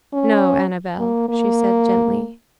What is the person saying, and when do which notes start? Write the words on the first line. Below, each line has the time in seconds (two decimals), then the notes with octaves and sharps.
"No, Annabel," she said gently.
0.13 C#4
0.99 A#3
1.29 A#3